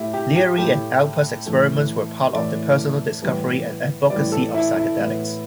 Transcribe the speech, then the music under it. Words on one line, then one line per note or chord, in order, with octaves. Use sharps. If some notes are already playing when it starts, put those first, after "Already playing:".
Leary and Alpert's experiments were part of their personal discovery and advocacy of psychedelics.
Already playing: A2 A3 E4 G4
G4
G4
A2 A3 G4
A2 E3 A3
A2 E3 A3 D5
A2 E3 G3 B3
A2 E3 G3 B3 D5
A4
E4
E4
A2 E3 B3